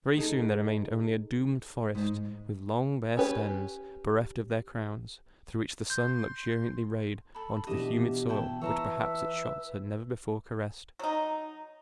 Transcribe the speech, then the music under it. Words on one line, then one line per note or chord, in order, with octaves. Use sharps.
Very soon there remained only a doomed forest, with long bare stems, bereft of their crowns, through which the sun luxuriantly rayed on to the humid soil which perhaps its shots had never before caressed.
D#4 G#4 A4
G#2
C#4 G4 B4 C#5
C6 G6
A4 B5
B2 E3 D4 G4 D#5 E5
E4 G5 A5
E3 B4 C#5 E5 A5 A#5
F#3 D#4